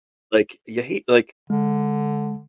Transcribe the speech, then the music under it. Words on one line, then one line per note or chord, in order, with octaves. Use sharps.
like, you hate like
D3 G#3